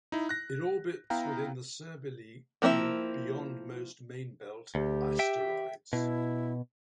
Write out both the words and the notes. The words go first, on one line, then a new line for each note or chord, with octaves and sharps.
It orbits within the Cybele Group, beyond most main-belt asteroids.
D#4 E4
F#6 A#6
B3 E4 F5 G5 A#5
F3 A#3 C4 D#4 E4
D2 G4
E5 G5
B2 E4